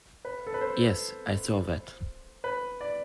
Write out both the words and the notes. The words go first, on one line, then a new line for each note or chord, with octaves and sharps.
Yes, I saw that.
B4
A4
B4
C5
B4
D5